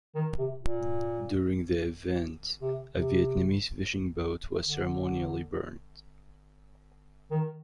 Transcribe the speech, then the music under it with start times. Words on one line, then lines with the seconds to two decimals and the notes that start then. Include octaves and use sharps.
During the event, a Vietnamese fishing boat was ceremonially burned.
0.15 D#3
0.38 C3
0.60 A#2
2.61 C3
2.94 C3
4.63 D3
7.31 D#3